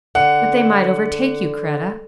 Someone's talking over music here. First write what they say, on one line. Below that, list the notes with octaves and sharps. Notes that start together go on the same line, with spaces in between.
"But they might overtake you, Kreta."
D3 F#5